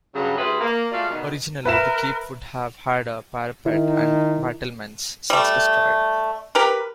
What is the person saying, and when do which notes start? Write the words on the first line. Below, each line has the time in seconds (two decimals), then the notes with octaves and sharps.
Originally the keep would have had a parapet and battlements, since destroyed.
0.15 G2 C#3 F#3
0.38 D2 G3 E4 G#4 B4 C5
0.61 A#3
0.92 G#3 A3 F4 F#4 D5 F5
1.10 B2 D#3
1.65 A#4 B4 E5 E7
3.66 D#3 E4
5.30 G3 A3
6.55 G4 A#4 B4